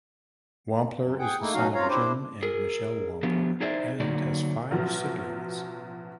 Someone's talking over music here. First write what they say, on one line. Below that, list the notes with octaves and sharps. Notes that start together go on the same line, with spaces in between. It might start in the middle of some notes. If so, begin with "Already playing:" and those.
Wampler is the son of Jim and Michelle Wampler and has five siblings.
F#2
G#4 F#5 G5
A3 A#3 D#4 E4
B2 F#3 C#4 D#4 F#4 F5
F#2 C3 F4 C#5 F5 A#5
D4 E4 G4 C5
G#4 A#4
F3 A3 B3 D4 G4
D#4 E4 G#4 C5 D5 E5
D3 F#3 A#3 D#4 D5
A1 B2 F3 F#3